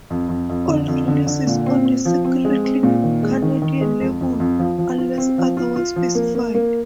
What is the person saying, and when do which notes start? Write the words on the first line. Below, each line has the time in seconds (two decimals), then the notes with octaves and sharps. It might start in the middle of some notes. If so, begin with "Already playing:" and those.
All releases on the Secretly Canadian label, unless otherwise specified.
0.10 F2
0.29 F2
0.49 F2
0.68 D3
0.88 F2
1.08 D3
1.27 D3
1.47 A#2
1.66 C4
1.86 C4
2.05 F3
2.25 C4
2.45 G#3
2.64 C4
2.83 A#2
3.03 D#3
3.23 G#3
3.42 D#3
3.62 D#3
3.81 G#3
4.01 F2
4.21 F2
4.40 F2
4.59 F3
4.78 F3
4.98 F4
5.18 C4
5.38 F3
5.57 F4
5.76 F4
5.96 F3
6.15 A#3
6.35 A#3
6.55 A#3